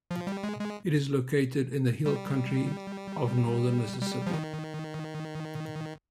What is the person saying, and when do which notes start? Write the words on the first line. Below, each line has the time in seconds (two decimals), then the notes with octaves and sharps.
It is located in the hill country of northern Mississippi.
0.11 F3
0.27 G3
0.43 G#3
0.60 G#3
2.06 G3
4.01 G3
4.26 F3
4.33 D#3